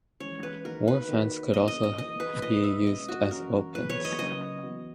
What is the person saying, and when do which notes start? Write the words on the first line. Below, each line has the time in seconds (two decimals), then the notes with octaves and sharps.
War fans could also be used as weapons.
0.20 E3 G#3 C#4 C#5
0.43 B4
0.65 D#3 A#3 D#4 F#4 A#4
0.88 B4
1.09 D#3 A#3 D#4 F#4
1.54 A#2 A#3 C#4 D#5
1.68 D#5
1.83 D#5
1.98 E3 A#3 E4 D#5
2.20 B4
2.42 E2 B2 A#3 E4 D#5
2.64 E5
2.86 B2 G#3 C#4 D#5
3.08 F#4
3.31 F#2 E3 A#3 C#4 A#4
3.74 F#2 E3 B3 B4
3.90 C#5
4.05 D#5
4.19 C#3 F#3 A#3 C#4 D#5
4.63 E3 B3 F#4